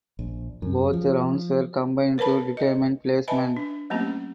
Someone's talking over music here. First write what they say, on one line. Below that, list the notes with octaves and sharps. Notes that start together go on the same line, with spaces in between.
Both rounds were combined to determine placement.
A#1
F#2
F3
A#4 B4 C#5 A5 B5
D#5
B4 D#5 E5 G#5 A5 B5
D4
F#3 A3 A#3 C4 C#4 G4